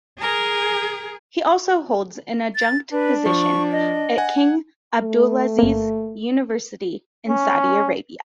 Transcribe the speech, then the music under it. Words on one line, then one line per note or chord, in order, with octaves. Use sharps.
He also holds an adjunct position at King Abdulaziz University in Saudi Arabia.
G#4 A#4
A6
D4 B4
F3 C#6
D#5
F#5 G#5
A3
G1 A#3
C#4